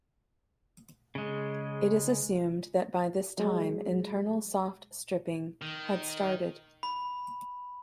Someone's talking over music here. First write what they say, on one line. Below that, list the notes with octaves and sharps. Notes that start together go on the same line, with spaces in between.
It is assumed that by this time internal soft-stripping had started.
C#3 G#3
F#3 G#3
D#3
B5